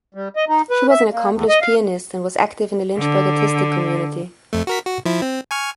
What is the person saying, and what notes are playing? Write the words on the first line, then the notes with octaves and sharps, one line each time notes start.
She was an accomplished pianist and was active in the Lynchburg artistic community.
G3
D#5
D#4
B4
E5
A#3
E2
D#5
F5
D3
F2 A3
F#4 A#4 B6
F#4
F3 E4
C4
G#5 C#6 F6